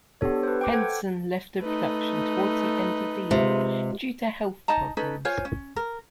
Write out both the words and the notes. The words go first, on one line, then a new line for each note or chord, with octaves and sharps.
Henson left the production towards the end of the year due to health problems.
B3 D4 G4 A4 C#5
B4 C5
G5 D6
A4 C5 F#5 G#6
A3 D#4 B4
C3 G#3 F4
D#4 D#5 A5 A#5
C#4 D#4 A4 B4
F4 C5 C#5 G#5
C#4
A#4